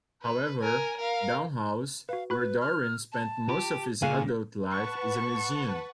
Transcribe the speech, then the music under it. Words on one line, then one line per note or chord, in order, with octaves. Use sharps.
However, Down House, where Darwin spent most of his adult life, is a museum.
B4
A#4 G#5
A#4 F5
F#4 B4 F5
F#4 B4 B5 F#6
F6
A5
F4 G4
A#2 C#3 F5 G#5 F#6 C7
B4 F#5 A5 C#6